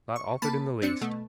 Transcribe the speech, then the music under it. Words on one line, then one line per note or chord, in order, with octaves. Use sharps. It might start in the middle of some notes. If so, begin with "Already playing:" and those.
Not altered in the least!'
C#6
A#3 A5 B5
C4 D4 C#7
B2 A3